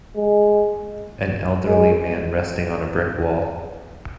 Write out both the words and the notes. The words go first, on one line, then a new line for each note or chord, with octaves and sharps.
An elderly man resting on a brick wall.
G#3
G#3